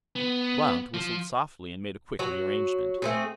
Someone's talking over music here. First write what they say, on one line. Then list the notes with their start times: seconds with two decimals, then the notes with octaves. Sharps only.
Blount whistled softly and made a quick re-arrangement.
0.16 B3
0.94 F3
2.19 F#3 F#4
3.02 A3 C4 G#4